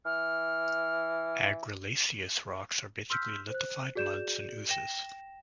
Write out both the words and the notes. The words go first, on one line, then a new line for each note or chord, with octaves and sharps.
Argillaceous rocks are basically lithified muds and oozes.
E3 F6
C6 E6 F6 G6 B6
C5 F#6
F#4 G#4 D5 G6 E7
G5 A#6 E7